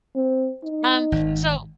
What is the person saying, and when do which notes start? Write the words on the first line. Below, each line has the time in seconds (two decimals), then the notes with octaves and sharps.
um, so
0.16 C4
0.64 D#4
1.12 G#1